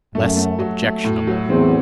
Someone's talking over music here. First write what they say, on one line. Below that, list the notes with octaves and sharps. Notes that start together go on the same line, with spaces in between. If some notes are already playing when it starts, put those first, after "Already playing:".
Less objectionable.
F#2 A3
A3
F#3
A3
A2
F#3
E2 C4